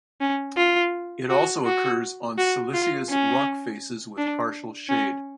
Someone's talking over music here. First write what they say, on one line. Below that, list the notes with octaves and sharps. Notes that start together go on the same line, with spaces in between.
It also occurs on siliceous rock faces with partial shade.
C#4
F4
F#4
F#4
F#4
F4
C#4
D4
C#4